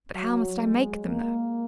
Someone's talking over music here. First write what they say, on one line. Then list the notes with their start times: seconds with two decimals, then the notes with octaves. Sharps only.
'But how must I make them know?
0.15 F#3
0.60 G#3
1.05 A#3